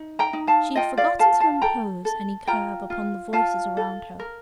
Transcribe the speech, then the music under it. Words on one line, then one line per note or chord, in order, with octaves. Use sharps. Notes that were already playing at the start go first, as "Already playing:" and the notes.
She had forgotten to impose any curb upon the voices round her.
Already playing: D#4
G5 A#5
D#4
F5 A5
F4 D#5 G5
D5 F5
A4 F5 A5
F5 A5
A4 G5 A#5
A4
F4 G5 A#5
F4
F4 F5 A5
A4
A#4